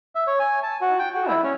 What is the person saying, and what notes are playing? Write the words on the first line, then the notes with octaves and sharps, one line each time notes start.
Oh, good.
E5
C#5
G#5
A5
F#4
G5
F#4
E4
C#4